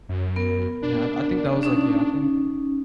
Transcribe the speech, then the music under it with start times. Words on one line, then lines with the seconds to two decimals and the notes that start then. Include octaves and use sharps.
And, yeah, I I think that was, like, yeah I think
0.09 F#2
0.36 B3 A#4
0.82 D4
1.63 C#4 D#4